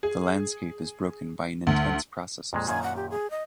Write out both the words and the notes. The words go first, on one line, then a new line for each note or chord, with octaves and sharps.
The landscape is broken by an intense process of sliding.
G#4
D2
F2 A#2 G#3
F#2 A#2 D#3 G#5
F#5
G4
G#4
D#5